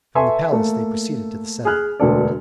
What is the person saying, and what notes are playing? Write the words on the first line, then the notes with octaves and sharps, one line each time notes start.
From the palace they proceeded to the senate.
A4 B4 E5 G#5 C6 C#6
A3 A#3 A4
G#4 G#5 F6 F#6
E1 D2 B3 A4 D5